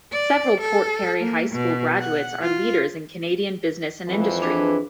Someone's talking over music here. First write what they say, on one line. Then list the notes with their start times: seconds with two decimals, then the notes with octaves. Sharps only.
Several Port Perry High School Graduates are leaders in Canadian business and industry.
0.12 D5
0.61 A4
1.19 A#3
1.52 B2
2.00 F#5
2.42 F4
4.08 F2 E3 F3
4.42 D4 G#4 B4